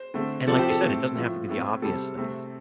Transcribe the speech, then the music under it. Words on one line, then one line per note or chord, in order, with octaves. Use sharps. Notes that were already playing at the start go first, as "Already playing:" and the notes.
and like you said, it doesn't have to be the obvious things,
Already playing: C5
D3 A3 C4
C3 F3 C4 A4 D5
G4 C5
A4
A2 A3 C4 A4
A2 F3 A3
A2 A3 C4
C3 G3 C4 A4
C3 A3 C4